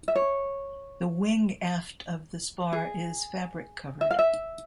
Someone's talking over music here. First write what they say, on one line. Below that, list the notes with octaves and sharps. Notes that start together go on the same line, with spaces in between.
The wing aft of the spar is fabric-covered.
E5
C#5
G#4
E5
F5
E5